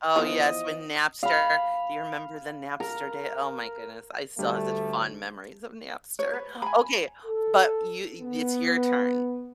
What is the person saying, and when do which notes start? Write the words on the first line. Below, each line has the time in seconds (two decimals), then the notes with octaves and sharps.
Oh, yes, when Napster do you remember the Napster day? Oh my goodness, I still have such fond memories of Napster. Okay, but you e th it's your turn.
0.16 E3 F3 B3 D#5
1.23 F5 B5
2.80 A#4
4.39 D2 G3 A3
6.19 C#5
6.33 B4
6.62 G#5 B5
7.25 A4
8.21 B3